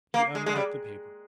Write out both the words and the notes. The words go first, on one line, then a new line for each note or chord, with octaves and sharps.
He unwrapped the paper.
A#3
G#3
G#3
G3